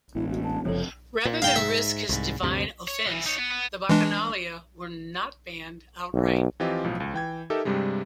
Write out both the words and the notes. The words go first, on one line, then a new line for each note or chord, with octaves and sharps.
Rather than risk his divine offense, the Bacchanalia were not banned outright.
E1 A1 E4
F#4
A5
F#1 C3 F3 A4 C#5
A#2
G#2 F5 G5
E5
C2 G#2
D2 G2 C3
C#5
B1 E3
D#4 C#5
B3
B3
E3 G#3 D4
B1
E3 F3 C4 F4 G4 D#5
B1 A2 F3
C#2
E3 G5 G#6
D#4 G4 A4 A#4 E5
G2 C3 G3 G#3